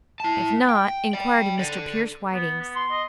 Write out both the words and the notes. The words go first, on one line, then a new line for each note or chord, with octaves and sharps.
If not, inquire to Mr. Pierce Whiting's.
E4 A5
G5
D5 G5
A4 D5
B3
B3
C6
D#5